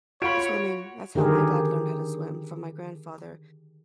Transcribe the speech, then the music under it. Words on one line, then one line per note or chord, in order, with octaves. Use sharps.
the swimming, that's how my dad learned how to swim from my grandfather,
F4 F#4 C#5 B5 D7
D3 D#3 G4 G#4 A#4